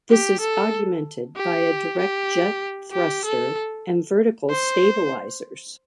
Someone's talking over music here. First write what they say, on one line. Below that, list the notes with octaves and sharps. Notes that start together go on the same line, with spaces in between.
This is augmented by a direct jet thruster and vertical stabilisers.
G4
A4
G4
G4
G4
A4
C5